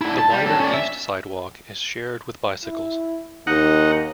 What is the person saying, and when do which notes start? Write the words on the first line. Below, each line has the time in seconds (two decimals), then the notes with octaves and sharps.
The wider east sidewalk is shared with bicycles.
0.02 D3 E4
0.19 A5
0.31 G3
0.46 C#4 A4
0.60 C#4 D5
0.74 E5
2.65 E4
3.47 D#2 D#4 F#5